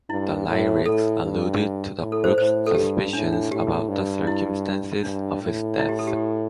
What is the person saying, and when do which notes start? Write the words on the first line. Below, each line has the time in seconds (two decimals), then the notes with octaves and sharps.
The lyrics alluded to the group's suspicions about the circumstances of his death.
0.09 G2 E4
0.47 A2
0.85 A2 A4
1.24 G2
2.00 A2
2.12 A4
2.24 C5
2.37 A2 C5
2.66 A4
2.75 G2 G4
3.13 A2 D4
3.33 D4
3.51 A2 G4
3.89 G2
4.27 E4
5.03 G2 D4
5.42 A2
5.79 E4
5.89 G4
5.99 A4
6.07 G4